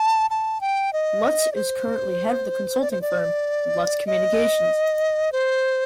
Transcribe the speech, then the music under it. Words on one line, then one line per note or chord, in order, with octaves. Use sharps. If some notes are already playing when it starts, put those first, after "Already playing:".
Lutz is currently head of the consulting firm Lutz Communications.
Already playing: A5
A5
G5
D#5
D5
C5
D5
C5
D5
D#5
C5